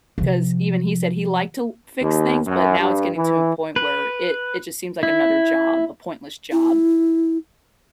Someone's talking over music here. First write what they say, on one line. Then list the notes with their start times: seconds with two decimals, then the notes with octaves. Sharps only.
'cause even he said he liked to fix things, but now it's getting to a point where it it just seems like another job, a pointless job,
0.18 C3 F3
2.01 D#2
2.46 F#2
2.79 G2
3.14 E3
3.76 B4
5.03 E4
6.52 E4